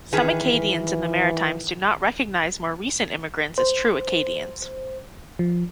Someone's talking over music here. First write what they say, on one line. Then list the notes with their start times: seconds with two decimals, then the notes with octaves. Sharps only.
Some Acadians in the Maritimes do not recognize more recent immigrants as true Acadians.
0.13 D#3 E3 G#4 B4
3.58 C5
5.39 F3